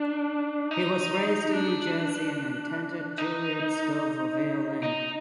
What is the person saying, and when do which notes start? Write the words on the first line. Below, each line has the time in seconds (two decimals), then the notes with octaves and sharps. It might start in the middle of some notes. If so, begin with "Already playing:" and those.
He was raised in New Jersey and attended Juilliard School for violin.
Already playing: D4
0.71 D#4
1.53 D4
3.18 D#4
4.83 D#4